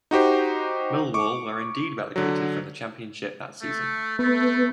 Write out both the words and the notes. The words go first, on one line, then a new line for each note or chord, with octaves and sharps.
Millwall were indeed relegated from the Championship that season.
D#4 F#4 G4 C5
C#6 D6
D3 F#3
A3
A3 B3